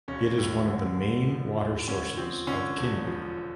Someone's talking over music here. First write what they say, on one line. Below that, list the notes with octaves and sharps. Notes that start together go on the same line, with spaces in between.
It is one of the main water sources of Kinmen.
E1 C#4
D#2
D3
D3
F3
D#2
D3 C#4
F3 C4
D3 C#4
E1
F3